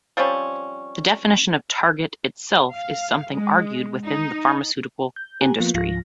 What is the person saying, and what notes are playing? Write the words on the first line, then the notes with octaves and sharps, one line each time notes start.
The definition of "target" itself is something argued within the pharmaceutical industry.
F3 G3 C4 C#4
F5
G#3
D#4
G6
G4 G#5 A#5 F#6
F3 A#3 B3 F4
C#2 G#2 F3 F4 F5 A#6